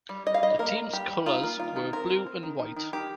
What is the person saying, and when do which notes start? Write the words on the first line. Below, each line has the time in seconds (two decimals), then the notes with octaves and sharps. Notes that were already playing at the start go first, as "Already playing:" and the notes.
The team's colours were blue and white.
0.09 G3
0.26 G3 D#5
0.34 F5
0.43 G3 D#5
0.59 A#3 A#4
0.77 A#3
0.92 G3 G4
1.10 G3
1.26 D#4 F4
1.43 A#3
1.60 D#3 F4
1.76 D#3
1.93 C4 A#4
2.10 C4
2.27 C4
2.43 D#3
2.59 D#3
2.76 D#3
2.93 D#3 G4